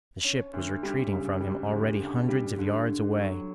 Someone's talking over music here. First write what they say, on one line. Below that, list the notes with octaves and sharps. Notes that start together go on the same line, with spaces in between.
The ship was retreating from him already hundreds of yards away.
C#4
D2
G3
C#3
G3
D2
C#3
G3
D3
D3
F#3